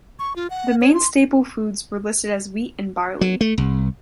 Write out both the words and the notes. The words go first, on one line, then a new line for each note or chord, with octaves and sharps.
The main staple foods were listed as wheat and barley.
C#6
F4
F#5
C#5
C6
F#3
A3
C2